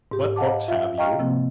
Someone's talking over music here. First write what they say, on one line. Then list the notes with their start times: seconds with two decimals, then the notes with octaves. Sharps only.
"What books have you?"
0.12 G#2 G4
0.36 D#5 F5 F#5 A5 D6
0.68 F4 E5 F5
0.98 D#5 F5 G5 A#5 C#6 F6
1.19 C3 F3 A#3 C4